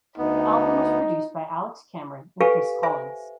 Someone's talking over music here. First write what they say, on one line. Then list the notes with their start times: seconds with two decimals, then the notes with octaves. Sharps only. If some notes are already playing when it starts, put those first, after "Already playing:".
The album was produced by Alex Cameron and Chris Collins.
0.18 D2 B3 D#4
2.40 G4 A4 B4 F5 G#5 C#6
2.83 C5 E5 G#5